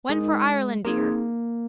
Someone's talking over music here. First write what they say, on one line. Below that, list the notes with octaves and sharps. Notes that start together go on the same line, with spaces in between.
When for Irelandear.
G#3 D#4 A#4 D#5
A#3 C4 D#4 G#4